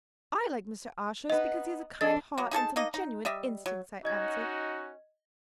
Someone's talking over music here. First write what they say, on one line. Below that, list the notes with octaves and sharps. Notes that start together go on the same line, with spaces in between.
'I like Mr. Ashurst because he has a kind heart and some genuine instincts,' I answered.
B3 D#4 D#5
F2 D4 A4 D#5 A6
F#3 A#3
D#4 G#4 A4 A5
A#3 D#4 D#5
D#4
G3 D#5 E5
F#3
C#4 D#4 F#4 D#5 G#6